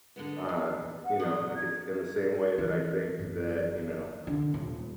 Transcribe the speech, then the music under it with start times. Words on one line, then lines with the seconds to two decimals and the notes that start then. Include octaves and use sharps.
um, you know, like, it's in the same way that I think that, you know,
0.16 D3 G#3 B3
0.49 E2
1.05 F#5
1.20 F#3 D#6
1.56 G#6
2.58 E3
3.19 F#1
4.27 D3
4.54 D#1